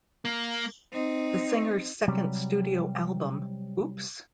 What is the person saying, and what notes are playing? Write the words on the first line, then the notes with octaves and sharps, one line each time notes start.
The singer's second studio album, Oops!...
A#3
C4 D#4
C3 F#3 G3